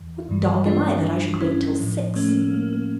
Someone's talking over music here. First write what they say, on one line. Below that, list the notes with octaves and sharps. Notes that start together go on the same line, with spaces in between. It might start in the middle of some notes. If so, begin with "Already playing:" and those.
"What dog am I that I should wait till six?"
Already playing: E2 E3
G2 E3 G3
D4 F4
C#4 E4
A2 F3
A3 C#4
A#3
A#3
A#3
A#3